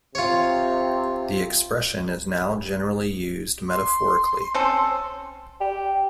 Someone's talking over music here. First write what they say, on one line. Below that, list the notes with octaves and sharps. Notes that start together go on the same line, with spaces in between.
The expression is now generally used metaphorically.
C3 F4 C#5
C6
C4 C#4 A4
G4